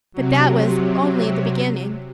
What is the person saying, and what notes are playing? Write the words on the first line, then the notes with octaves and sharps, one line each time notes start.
But that was only the beginning.
C3 F#3